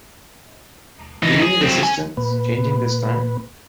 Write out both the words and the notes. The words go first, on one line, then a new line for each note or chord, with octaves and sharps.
Do you need assistance changing this tire?
E3 D#4
G#4
F#3 C4
C#4 G#5
A#2 B4